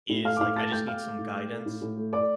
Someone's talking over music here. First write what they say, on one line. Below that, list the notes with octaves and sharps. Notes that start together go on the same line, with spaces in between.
is, like, I just need some guidance.
A2
A3 F5 F6
D6
A2 F5 F6
A3 A5 A6
A3 G5 G6
A3 F5 F6
A3
A2
A3
A3
A2
A2
A3
D5 D6